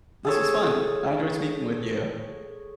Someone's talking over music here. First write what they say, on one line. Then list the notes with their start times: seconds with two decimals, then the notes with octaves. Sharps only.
this was fun. I enjoyed speaking with you.
0.25 G#4 A4 C#5